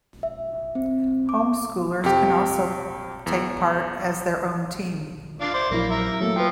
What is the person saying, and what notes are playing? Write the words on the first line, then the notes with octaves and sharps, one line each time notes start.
Home-schoolers can also take part as their own team.
E5
C4
D6
F2 C3 G4
E2
D4 F4 D5
C5 D5
A#1 F#3 A#3 E4
A#4 E5
F#3 A3 A#3 A4
F3 B4 G5